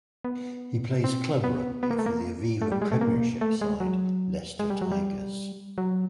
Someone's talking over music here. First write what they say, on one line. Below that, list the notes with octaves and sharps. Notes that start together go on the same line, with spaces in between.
He plays club rugby for the Aviva Premiership side Leicester Tigers.
B3
C4
B3
B3
A#3
A3
A#3
A3
G3
G#3
A3
A#3
A3
G#3
F#3
G#3
G3
F#3
G3
F#3